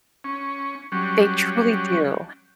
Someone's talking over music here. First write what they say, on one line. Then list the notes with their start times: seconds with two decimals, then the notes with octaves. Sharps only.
They truly do,
0.24 C#4
0.92 F#3 G3 C#4